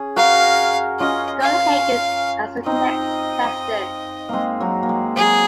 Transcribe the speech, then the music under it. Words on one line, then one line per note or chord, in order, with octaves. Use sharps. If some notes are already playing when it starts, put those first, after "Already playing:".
Scott Hagan as the next president.
Already playing: C#4 G#4
F#4 A#4 F5
C#4 F4 D#5
F5
C4 D#4 D#5
G#3 A#3 C4
F#3 A#3
A#3
G#3
F#3 G#4